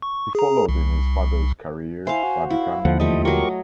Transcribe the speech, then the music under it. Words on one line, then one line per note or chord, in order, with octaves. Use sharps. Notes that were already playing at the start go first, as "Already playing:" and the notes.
He followed in his father's career by becoming a diplomat.
C#6
G#4 A#5
C2
E4 C5 F5 G#5
F#4
E4 F5
D#2 D3 F3 F#5
E2 G3 A3 F4 D#5
F#3 G4 A#4 D#5 C#6